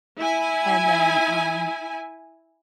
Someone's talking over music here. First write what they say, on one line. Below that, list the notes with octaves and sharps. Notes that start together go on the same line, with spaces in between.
and then, um,
E4 G#5